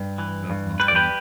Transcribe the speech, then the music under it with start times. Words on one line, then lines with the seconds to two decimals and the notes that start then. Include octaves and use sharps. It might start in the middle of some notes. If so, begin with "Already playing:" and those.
That's awesome.
Already playing: G2
0.18 E3
0.50 G2
0.80 G3 B4
0.88 D5
0.95 G4 B4